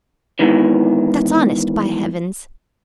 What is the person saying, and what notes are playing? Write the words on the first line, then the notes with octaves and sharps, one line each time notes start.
That's honest, by heavens!
E2 G#2 D#3 E3